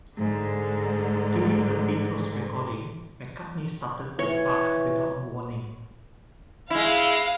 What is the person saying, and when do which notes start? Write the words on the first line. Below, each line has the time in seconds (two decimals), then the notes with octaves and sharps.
During the Beatles recording, McCartney started to bark without warning.
0.17 G#2 D3
4.19 E3 C#5
6.70 G#3 E4 F5